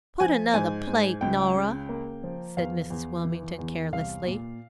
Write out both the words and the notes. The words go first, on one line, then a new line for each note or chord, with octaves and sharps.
"Put another plate, Norah," said Mrs. Wilmington carelessly.
F3 G#5
G#2 G#5
G#2
C#2 G5
C#3
A#3
F3
E2 F5
E2
E3
E2
C2 F5
A#2